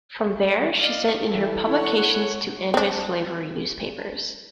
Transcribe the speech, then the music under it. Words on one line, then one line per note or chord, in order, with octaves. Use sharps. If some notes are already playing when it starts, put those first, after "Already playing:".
From there, she sent in her publications to anti-slavery newspapers.
D5 D#5 F5
E3 E4 A4
E4 C#5 F#5
C4 D4